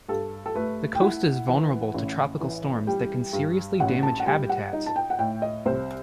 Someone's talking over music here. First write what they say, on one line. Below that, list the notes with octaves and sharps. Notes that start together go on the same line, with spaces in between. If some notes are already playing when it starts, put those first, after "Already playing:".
The coast is vulnerable to tropical storms that can seriously damage habitats.
G2 A4
A4
A3 B4
G5
E4 F#5
E3 F#5
A1
E3
G3 G5
G2
A1 F#5
A5
F#5
G3 G5
F#5
D#4
A5
G5
F#5
A2 G5
D#5
C2 C5